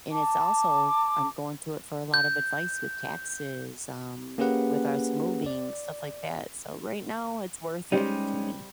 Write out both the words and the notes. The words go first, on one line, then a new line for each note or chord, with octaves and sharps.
and it's also I'm going to it for a lot of advice with taxes, um, with us moving, stuff like that, so right now, it's worth it to me.
A5 D6
G6
A#3 C#4 G4 G#4 B4 F#5
D5
G3 G#3 C4 C#4 D#4 G4